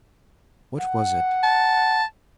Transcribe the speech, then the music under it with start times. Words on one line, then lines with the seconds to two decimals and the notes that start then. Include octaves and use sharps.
What was it?...
0.80 F#5
1.43 A5